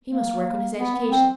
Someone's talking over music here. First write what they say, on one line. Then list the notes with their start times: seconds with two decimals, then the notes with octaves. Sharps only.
He must work on his education.
0.10 A#3
0.77 B3
0.95 B3
1.12 C4